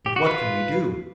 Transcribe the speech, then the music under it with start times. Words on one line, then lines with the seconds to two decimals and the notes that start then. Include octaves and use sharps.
"But what can we do?"
0.06 G4
0.16 F#4
0.26 F4 B4